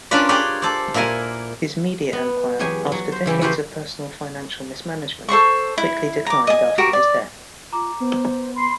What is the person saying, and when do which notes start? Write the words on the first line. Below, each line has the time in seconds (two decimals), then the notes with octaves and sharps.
His media empire, after decades of personal financial mismanagement, quickly declined after his death.
0.11 C#4 D4 F4 A#4 B4 D5
0.29 G4 G#4 B4 C#5 D5 G5
0.62 A4 C5 D5
0.94 A#2 A#3 E4 A#4 G#5
2.13 B3
2.59 E2 F#3 G4 G#4 C#5 G#5
2.92 F#3
3.12 C5
3.26 C#3 E3 E4 G4
3.41 E4 F#4 G4 A4 B4 C5
5.29 A4 C5 C6 C#6
5.78 E4
6.26 A#5 D6
6.47 D#5 G#5
6.78 F#4 G4 A#4
6.93 D5
7.73 F4 A#5 D6
8.00 B3 C5
8.55 B5 C6